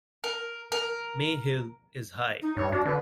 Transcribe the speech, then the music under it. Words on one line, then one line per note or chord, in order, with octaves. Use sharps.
May Hill is high.
A#4
A#4
D#4
G2 C#5
D4 F#4
D3 B4